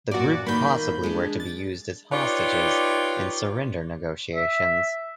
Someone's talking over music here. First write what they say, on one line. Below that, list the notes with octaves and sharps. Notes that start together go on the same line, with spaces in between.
The group possibly were to be used as hostages in surrender negotiations.
F#2 A#2 F#4 D5
D#3 A#3 B5 G6
G#3 D4
A6
D#4 F4 G4 B4 C#5 D5
E5